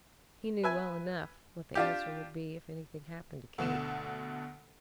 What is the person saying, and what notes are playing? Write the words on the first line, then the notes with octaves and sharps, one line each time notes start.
He knew well enough what the answer would be if anything happened to Kate.
B4 E5 G#5
D4 F4 G4
D2 B2 D3 E7